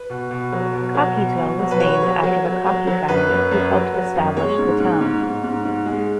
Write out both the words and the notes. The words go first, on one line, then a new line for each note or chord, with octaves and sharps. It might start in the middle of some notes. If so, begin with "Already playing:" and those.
Cockeysville was named after the Cockey family who helped establish the town.
Already playing: B4
B2
B2
F#3
B2
F#3
B2
B2
F#3
B4
F#3 C#5
F#3
F#3
F#3
F#3
F#3
F#2 B4
F#2
F#2
F#3
F#3
F#2
G#3 C#5
G#2
G#2
G#2
G#2
G#2
G#2
G#3